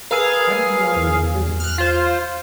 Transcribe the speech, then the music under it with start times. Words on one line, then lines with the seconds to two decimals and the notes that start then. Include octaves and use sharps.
"How did you know I was in prison?"
0.11 G#4 A#4 B4 F5 E6
0.96 E2
1.60 F6 F#6
1.78 F4 C5